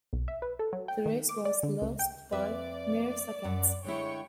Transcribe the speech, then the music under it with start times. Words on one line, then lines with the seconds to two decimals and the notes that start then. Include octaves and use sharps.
The race was lost by mere seconds.
0.13 B1
0.28 E5
0.42 B4
0.59 A4
0.73 F#3
0.88 G5
1.06 D#3
1.29 D6
1.45 D5
1.63 D3
1.82 C#2
1.99 G5
2.32 F2 B4 D5 E5
3.44 F#2 F#3 F#5
3.84 D3 G#3 E4 C#5 G5 C#6